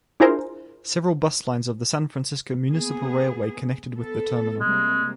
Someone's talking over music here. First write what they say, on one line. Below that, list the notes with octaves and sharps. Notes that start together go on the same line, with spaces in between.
Several bus lines of the San Francisco Municipal Railway connected with the terminal.
D4 E4 F4 G#4 A#4 C5
A#3 B3 G#4
B3 A4
C3 G3 G#3 A#3